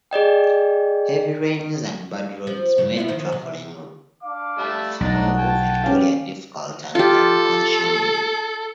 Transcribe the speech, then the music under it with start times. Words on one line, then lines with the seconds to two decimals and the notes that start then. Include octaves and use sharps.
Heavy rains and bad roads made travelling through Victoria difficult and time-consuming.
0.11 G#4 D5 D#5 G5
2.47 F3
2.78 G2 C#3
2.97 B3 E4 F4
3.08 D#3 F3 C5
3.32 C3
4.23 D4 F5 D6
4.58 G3 A3 E5
5.00 B1 A3 D4 D#4 F#5
5.38 G5 A5
5.84 C#4 G4 B4 C#5 F5
6.95 F4 G4 A4